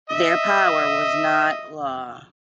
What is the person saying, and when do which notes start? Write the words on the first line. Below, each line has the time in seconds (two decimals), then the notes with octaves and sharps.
Their power was "not" law.
0.10 D#5 E5